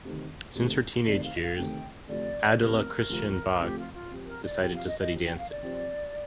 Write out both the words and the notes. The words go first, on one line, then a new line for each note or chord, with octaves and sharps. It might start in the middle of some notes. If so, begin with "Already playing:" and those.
Since her teenage years, Adela Christian Bach decided to study dancing.
D2 C3 D#3 A3
D2 C3 D#3 A3
D2 C3 D#3 A3 D5
F5
D#5
F5
D2 C3 D#3 A3 G5
D2 C3 F3 A3 C4 D5
D2 C3 F3 A3 C4 A#4
D2 C3 F3 A3 C4
D2 C3 F3 A3 C4 G4
F4
F4
F3 C4 G4
A#4
D5
F3 C4 G4 G5
F5
D#5
D#5
F3 C4 G4
G5
F5
D5
F3 C4 G4